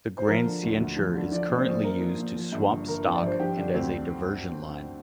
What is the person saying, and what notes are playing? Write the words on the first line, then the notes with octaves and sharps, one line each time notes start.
The Grande Ceinture is currently used to swap stock and as a diversion line.
C5
F3 A#4
D3
D2
D2
F3
D3
F3 D5
A#2
C5
A#1
A#1 A#4
F3
A#2
F3
G2
G1
G1 A#4
F3
D5
G2 C5
F3 G4
D3 D4
D2 C4